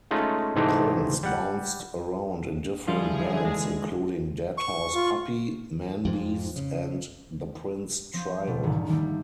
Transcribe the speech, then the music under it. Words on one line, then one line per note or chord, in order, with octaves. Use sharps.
Prince bounced around in different bands including Deadhorse Puppy, Manbeast, and The Prince Trio.
G#3 A3 C#4 D#4 F4
G#2 C3 E3 A3 D4 D#4
G3 F#5
D3 E3 F3 G3 F4 G#4
G#3
C#6
F4
F2 G#2 F3
C#3
F3 C4
B2 G3
E1 A1 G#2 D3 D#3
D#3 G3 A3 A#3